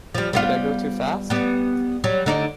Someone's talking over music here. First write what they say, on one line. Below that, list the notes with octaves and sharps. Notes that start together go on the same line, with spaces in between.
Did I go too fast?
F3 G3
G3 B3 F4
G3 B3
F#3 G3
D3 D#4 D5